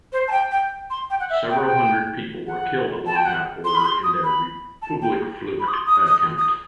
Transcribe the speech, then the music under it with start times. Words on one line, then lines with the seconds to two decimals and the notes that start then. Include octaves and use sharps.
Several hundred people were killed along that border in their Republikflucht attempt.
0.12 C5
0.27 A5
0.31 G5
0.51 G5
0.90 C6
1.10 G5
1.19 F#5
1.29 E5
1.49 G5
1.57 F#5
1.65 G5
2.47 F#5
3.06 A5
3.15 G5
3.25 F#5
3.64 C6
3.74 B5
3.84 C6
4.03 D#6
4.23 B5
4.82 A5
5.01 G5
5.59 B5
5.67 D#6
5.72 C6
5.86 D#6
6.06 D#6
6.38 D#6